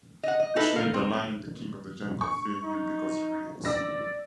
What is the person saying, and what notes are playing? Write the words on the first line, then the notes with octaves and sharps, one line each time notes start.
Which made the lion the king of the jungle fear him because he reads.
D#5 F#5
D#5
D#4 E4 A4 B4
A4 A#4 F5
C4
C#6
D#4
D5 E6 A#6